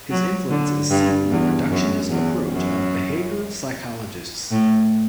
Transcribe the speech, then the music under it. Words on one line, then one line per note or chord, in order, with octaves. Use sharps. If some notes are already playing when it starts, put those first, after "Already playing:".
His influence is seen in the reductionist approach of behavioral psychologists.
F#3
D3
G2
E2
F#2
E2
F#2
A2